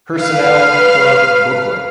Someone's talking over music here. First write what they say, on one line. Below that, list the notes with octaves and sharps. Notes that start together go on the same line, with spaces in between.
Personnel per booklet.
B4 F5